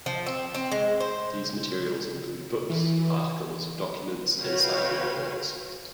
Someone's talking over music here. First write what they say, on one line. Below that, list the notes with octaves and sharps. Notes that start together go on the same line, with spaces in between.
These materials include books, articles, documents, and sighting reports.
F3
C4
C4
G#3
C5
E3
F#4 B4 C#5 F5 G5